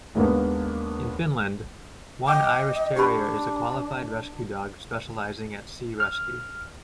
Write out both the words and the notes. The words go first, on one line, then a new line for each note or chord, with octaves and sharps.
In Finland one Irish Terrier is a qualified Rescue Dog specialising at Sea Rescue.
D#2 G#3 A#3 B3 D4
D#5 G5 D6
D4 G4 B5
F6